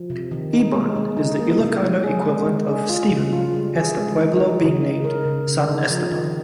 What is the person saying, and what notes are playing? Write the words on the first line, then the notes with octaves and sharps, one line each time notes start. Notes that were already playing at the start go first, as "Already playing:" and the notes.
"Iban" is the Ilocano equivalent of "Stephen," hence the pueblo being named San Esteban.
Already playing: F3
C3
D#3
D#4
G#3
G#3
D#4
A#3
C3
G#3
G#4
G#3
G#3
G#4
F4
C#3
F4
G3
G#4
G#3
D#4
D#4
C#3
D#4
A#4
C#3
C#3
D#4
F3
D#3